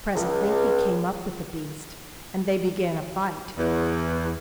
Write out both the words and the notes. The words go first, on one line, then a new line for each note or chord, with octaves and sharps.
Presently he came up with the beast, and they began a fight.
C#2
E2